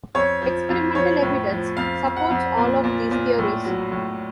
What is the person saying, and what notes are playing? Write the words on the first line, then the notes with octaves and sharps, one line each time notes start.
Experimental evidence supports all of these theories.
F2 C#5
F3
F2
F3 C#5
A2
F3
F2 F5
F2
F#5
F2
A#2
A#2
A#2
A2
F#3
A2